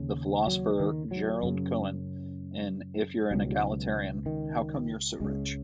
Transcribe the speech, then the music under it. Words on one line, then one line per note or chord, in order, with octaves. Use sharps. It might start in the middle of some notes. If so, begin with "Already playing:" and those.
The philosopher Gerald Cohen, in If You're An Egalitarian, How Come You're So Rich?
Already playing: D#2 C#3
F#3
D#3
F#3
F#2 C#3
C#2 B2 F#3
D#3
C#2 C#3 G#3